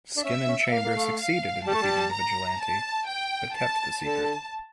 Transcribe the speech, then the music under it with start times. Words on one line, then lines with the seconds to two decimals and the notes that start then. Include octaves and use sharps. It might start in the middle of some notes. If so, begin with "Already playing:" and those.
Skin and Chamber succeeded in defeating the vigilante, but kept the secret.
0.16 D4
0.25 C#4 E5
0.48 C#4
0.72 A#3 F5
0.84 A#3
0.96 A3
1.19 F5
1.67 G3 A5
1.74 A3
1.82 G3
2.14 A#5
2.61 A5
3.08 G5
3.56 A5
4.03 D3 A5